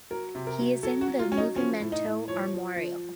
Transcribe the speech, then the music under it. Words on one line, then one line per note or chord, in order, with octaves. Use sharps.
He is in the "Movimento Armorial".
F#3 A#4
C3
A#4
F#3
F#3 A4
F#4
F#3
F4
F#3 C#4
D#4
F3 C#4
A2
D#4
A2
F3 C#5
F3
F3